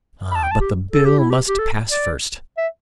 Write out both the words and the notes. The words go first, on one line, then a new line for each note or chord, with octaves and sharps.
Ah! but the Bill must pass first....
B5
A5
G5
A5
G4
A4
G4
E4
G4
G4
A4
D5
E5